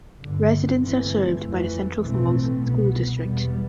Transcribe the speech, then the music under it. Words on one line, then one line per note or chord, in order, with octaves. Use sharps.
Residents are served by the Central Falls School District.
G1 G2 D3
G1 G2 E3 A3 C4
F2 E3 A3
B1 A2 E3 A3 C4
C2 B2 B3
E2 B2 G3 B3